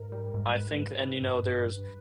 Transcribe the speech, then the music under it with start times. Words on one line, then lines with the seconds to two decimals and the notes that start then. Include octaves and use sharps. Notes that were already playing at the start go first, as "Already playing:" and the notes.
I think and you know, there's
Already playing: G#2 A#4
0.12 G3
0.34 G#2
0.55 G#2 B4
0.77 G#2
0.99 G#2
1.22 G2
1.43 G2
1.66 G2